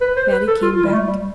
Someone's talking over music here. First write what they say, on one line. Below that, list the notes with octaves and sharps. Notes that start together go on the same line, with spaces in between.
Mattie came back.
B4
C5
B4
A4
F4
F4
G3
A3
G3